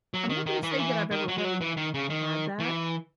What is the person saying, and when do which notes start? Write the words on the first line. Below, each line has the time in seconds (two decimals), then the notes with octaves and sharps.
I'm not gonna say that I've ever really had that,
0.14 F#3
0.29 D#3
0.46 D#3
0.63 E3
0.71 D#3
0.79 E3
1.11 D#3
1.28 F#3
1.38 G#3
1.45 F#3
1.61 E3
1.77 D#3
1.94 C#3
2.10 D#3
2.60 E3